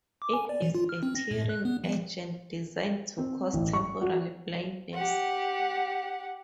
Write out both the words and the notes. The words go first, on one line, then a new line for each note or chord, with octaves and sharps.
It is a tearing agent designed to cause temporary blindness.
D6
G#5
D5
E3
F4
F6
C4
A#6
A2
F#6
B3
F3
C4
A1
C#6
F#4
G4 F#5